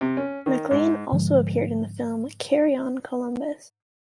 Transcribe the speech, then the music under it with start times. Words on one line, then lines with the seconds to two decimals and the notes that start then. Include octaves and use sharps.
Maclean also appeared in the film "Carry On Columbus".
0.01 C3
0.17 C#4
0.46 D#3
0.71 G#2
1.12 G#2 D3 F3 G#3